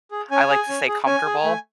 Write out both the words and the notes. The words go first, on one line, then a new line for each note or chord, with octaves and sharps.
I like to say, comfortable?
G#4
C#4 G#5
G#4
C#4
G#4
C#4 G#5
G#4
A3